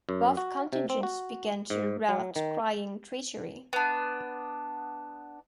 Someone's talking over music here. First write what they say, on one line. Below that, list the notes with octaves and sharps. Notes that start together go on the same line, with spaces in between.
Both contingents began to rout crying 'treachery'.
F#2
F#4
C3
C4
F#4
G#2
F#3
D#3
B3 D4